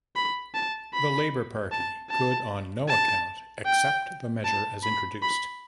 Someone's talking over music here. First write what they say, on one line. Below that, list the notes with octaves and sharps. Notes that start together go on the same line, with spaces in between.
The Labor Party could on no account accept the measure as introduced.
B5
A5
B5
A5
A5
A5
G5
A5
B5
B5